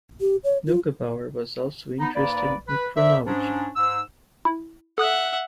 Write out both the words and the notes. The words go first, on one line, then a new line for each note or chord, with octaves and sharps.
Neugebauer was also interested in chronology.
G4
C#5
F4
B3 D#4
G#2 A#3 B4 D5
B4
A#4 C5 D5 E5
G#2 C#4 D4
G#2 E6
E4
A4 E5 F#5 D#6 F#6